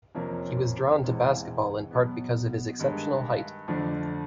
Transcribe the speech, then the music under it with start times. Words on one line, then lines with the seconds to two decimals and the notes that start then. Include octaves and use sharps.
He was drawn to basketball in part because of his exceptional height.
0.15 F2 C3 F3 A#3 C#4
1.03 E2 C3 E3 G#3 C4
1.91 B2 F#3 B3
2.79 G2 D#3 G#3
3.68 F2 D3 F3 A3 D4